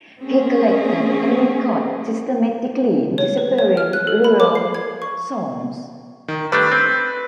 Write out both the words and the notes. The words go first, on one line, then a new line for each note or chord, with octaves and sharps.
He collected and record systematically disappearing rural songs.
A#3 C4 C#4 G#4
C#5
B4
C#5
F6
F#6
A4
B5
D6
C7
G#6
C#6
D#3
G3 A3 D4 B4
C4